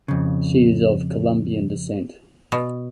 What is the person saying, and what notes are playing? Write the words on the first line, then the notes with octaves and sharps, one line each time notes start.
She is of Colombian descent.
F2 C#3
B2